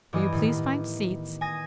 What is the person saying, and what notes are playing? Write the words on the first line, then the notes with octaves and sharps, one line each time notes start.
Will you please find seats?
G2 E3 B3 G4 D#5 G#5
A2 D#3
G#5 D#6 A#6